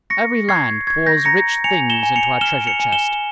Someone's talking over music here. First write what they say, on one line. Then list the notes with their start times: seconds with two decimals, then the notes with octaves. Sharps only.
Every land pours rich things into our treasure-chest.
0.10 C#6 A#6 C#7
0.49 C#6 G#6 C7
0.87 C#6 G#6
1.06 G6 A#6
1.25 A#5 A#6 C#7
1.64 G#5 C#7 F7
1.90 E7 G7
2.03 G#5
2.16 C#7 F7
2.41 F6 E7 G7
2.67 C#7 F7
2.80 G#5
2.92 E7 G7